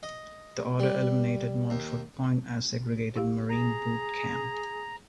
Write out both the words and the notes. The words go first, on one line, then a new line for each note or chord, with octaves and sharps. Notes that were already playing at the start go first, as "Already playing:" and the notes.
The order eliminated Montford Point as a segregated marine boot camp.
D#5
G3
D#2
E4 G4 F5
G#4 A#5